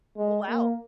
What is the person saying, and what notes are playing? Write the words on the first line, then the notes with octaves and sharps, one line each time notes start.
Oh wow.
G#3
A#3